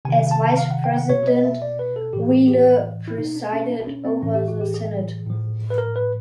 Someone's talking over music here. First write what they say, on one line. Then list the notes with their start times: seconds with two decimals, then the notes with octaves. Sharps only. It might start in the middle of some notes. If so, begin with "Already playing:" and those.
As Vice President, Wheeler presided over the Senate.
0.05 C3 D#3 G#5
0.31 A5
0.57 F5
0.71 F#5
0.84 G5
0.97 F#5
1.09 B2 C#5
1.27 D#5
1.44 E5
1.62 D5
1.79 B4
1.96 A4
2.13 A2 E3 G4
2.31 G#4
2.48 G4
3.08 E4
3.18 B2 D#4
3.36 D4
3.53 C#4
3.70 D4
3.87 C#4
4.05 C4
4.22 A2 E3 C#4
4.35 G4
4.48 F#4
4.61 G4
4.74 G#4
5.26 A2 F3
5.70 B4
5.78 A#4
5.96 B4